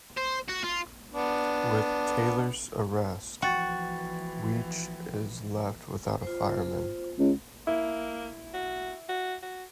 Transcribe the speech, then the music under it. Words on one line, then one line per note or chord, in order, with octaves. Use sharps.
With Taylor's arrest, Weech is left without a fireman.
C5
F#4
F4
B3 D4
E3 F3 F#4 G5 A6
F4 C5
C#2
A#3 E4
F#4
F#4
F#4